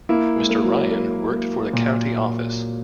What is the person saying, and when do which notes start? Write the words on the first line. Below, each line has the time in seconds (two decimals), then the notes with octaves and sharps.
Mr. Ryan worked for the County Office.
0.09 A#3 E4
0.36 G#3
0.50 A#3
0.64 F#3
0.91 A#3
1.32 A#3
1.73 A#2